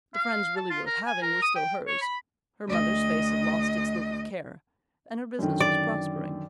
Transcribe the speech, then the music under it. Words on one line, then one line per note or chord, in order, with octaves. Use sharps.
The friends really worth having were still hers, her mother's face had lost its look of care, and her business was prospering.
F5
A5
F4
A#4
G#5
A#4
D#6
G5
C#5
B5
D2 D#5
F#2 D3 D#3
D5